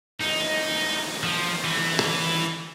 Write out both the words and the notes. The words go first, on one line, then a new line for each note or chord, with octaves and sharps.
Please wait a moment while I am investigating the issue.
D#4
F3
E3